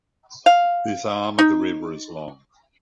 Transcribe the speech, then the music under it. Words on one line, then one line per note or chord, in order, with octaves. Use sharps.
This arm of the river is long.
F5
D#4